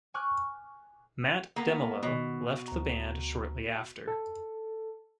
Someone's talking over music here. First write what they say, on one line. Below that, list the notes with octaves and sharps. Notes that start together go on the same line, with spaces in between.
Mat Demelo left the band shortly after.
G#5 C#6 D6 F6 F#6
A#3 B3
B2 D#3 B3
D2 A#5
A4